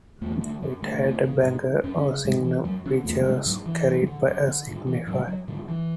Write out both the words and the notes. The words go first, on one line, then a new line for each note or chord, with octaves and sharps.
It had a banner or signum which was carried by a" Signifer".
E2 A3
D3 A3
F#2
D3 A3
F#2
C#3
G#2
F#2 C#4
C#4
C#3
G#2 G#3
E3
F#2 F#3
D3 C#4
E2 A3
C#3 G#3
G#2 F#3
E3
F#2
D3
F#2
D3
G#2 D3
E3
G#2 F#3
F#3
G#2 D3
E3